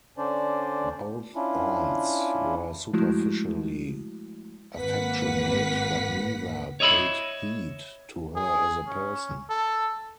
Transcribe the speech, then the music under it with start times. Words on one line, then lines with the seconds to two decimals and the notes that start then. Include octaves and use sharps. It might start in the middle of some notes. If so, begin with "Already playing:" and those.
Both aunts were superficially affectionate, but neither paid heed to her as a person.
0.18 D3 C#4 D4 C5 D5
1.35 C#4 D4 E4 F4
2.93 F3 G#3 A3 E4 F#4
4.77 G#1 A#3 B4 F#5 B6
6.80 C#5 D#5 E5 B5
8.36 G#4
8.88 C#4
9.50 A4